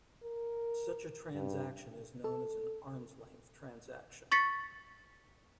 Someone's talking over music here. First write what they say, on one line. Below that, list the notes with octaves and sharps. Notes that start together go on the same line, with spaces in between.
Such a transaction is known as an "arm's-length transaction".
A#4
G2
A4
C#6 A6 B6 C#7